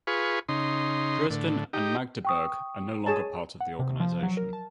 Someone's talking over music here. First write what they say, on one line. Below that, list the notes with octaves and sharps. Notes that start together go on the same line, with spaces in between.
Dresden and Magdeburg are no longer part of the organization.
F4 G#4 B4 C#6
C#3 D#4 C6
A2 D3
D#4 G4
G5 C#6 D#6
G#4 C#5 A5
F#5
C3
F3
F#3
A#4
A5